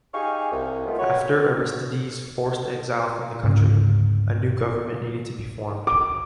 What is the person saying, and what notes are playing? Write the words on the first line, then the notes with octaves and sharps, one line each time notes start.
After Aristide's forced exile from the country, a new government needed to be formed.
D#4 G4 G#4 F5 G#5 C#6
C2
D#3 G#3 A3 B3 F4
F#4 B4 C#5
D2 G#2 C#3 C#4
D6